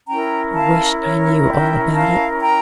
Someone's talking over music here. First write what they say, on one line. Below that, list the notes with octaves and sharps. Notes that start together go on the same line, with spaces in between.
I wish I knew all about it.
C#4 E4 A#4 G5 A#5
F5 A5
C#5
E5 G5
F5 A5
G5 A#5